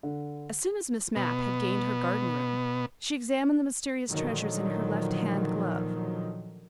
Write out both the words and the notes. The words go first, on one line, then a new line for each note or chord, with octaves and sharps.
As soon as Miss Mapp had gained her garden-room, she examined the mysterious treasures in her left-hand glove.
D3
B2 B3
A#2 D3 D#3 F3 F#3